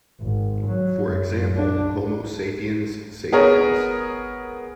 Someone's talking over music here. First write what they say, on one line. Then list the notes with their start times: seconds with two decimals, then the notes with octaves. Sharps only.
For example: "Homo sapiens sapiens".
0.21 G#1
0.67 F#3
1.05 F#2
1.56 D4
3.32 B3 G#4 A#4 C#5